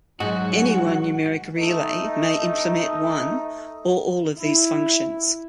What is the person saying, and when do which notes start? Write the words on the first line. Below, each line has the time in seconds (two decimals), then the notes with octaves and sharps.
Any one numeric relay may implement one or all of these functions.
0.20 G#2 F#3 F#4
1.57 A3 D#4
4.38 E4